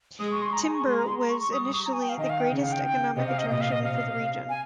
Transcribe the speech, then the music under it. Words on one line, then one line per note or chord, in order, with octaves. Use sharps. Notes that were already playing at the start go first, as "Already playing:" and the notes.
Timber was initially the greatest economic attraction for the region.
G#3 D#6
C#6
C6
A#5
G#5
C#6
G#3 C6
A#5
C6
A#5
C#6
C#6
G3 D#6
D#6
C#6
A#5
G#5
G5
F5
D#3 D#5
F5
G5
C#3
F5
G5
G5
C3 D#5
F5
D#5
A#2 D#5
F5
D#5
C3 F5
G#5